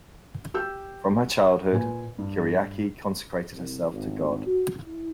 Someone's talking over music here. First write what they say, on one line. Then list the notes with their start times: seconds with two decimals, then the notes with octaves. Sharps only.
From her childhood, Kyriaki consecrated herself to God.
0.54 G4 E6 G6
1.72 A#2 B4 G#5
2.18 G2
3.54 C2
3.92 G#1
4.45 F#4
4.79 E4